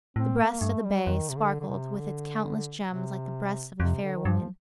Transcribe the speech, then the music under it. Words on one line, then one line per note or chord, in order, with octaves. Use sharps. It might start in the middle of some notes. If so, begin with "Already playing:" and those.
The breast of the bay sparkled with its countless gems like the breast of a fair woman.
A2 C4
A#2
A2
A#3
G2 A3
G3
F2 D#3
C3
D3
D3
C3
D3
C3
F2 C3
D3
D#3
G2 F3